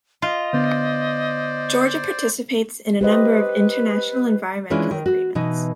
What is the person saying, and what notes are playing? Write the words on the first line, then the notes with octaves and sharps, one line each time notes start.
Georgia participates in a number of international environmental agreements.
F4 D#5
D3 B3 C5 D5
G4 B4 C5 D#5
E3 G#3 C#4 D4 E4 F4
D#3
F#4
B2 E3 D#4